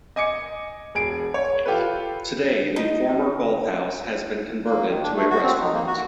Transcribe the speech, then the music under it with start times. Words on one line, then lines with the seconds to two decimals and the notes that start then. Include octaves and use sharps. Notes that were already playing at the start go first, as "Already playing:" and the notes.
Today the former golf house has been converted to a restaurant.
0.16 D#5 G#5 D6 C#7
0.95 E1 G#4 D7
1.34 C#5
1.66 F4 G4 A4 B4
2.76 D#4
4.65 A#3
4.88 D#3
5.03 D4
5.15 A3
5.30 F#4
5.43 C4
5.61 D#4
5.73 A#3
5.87 F#4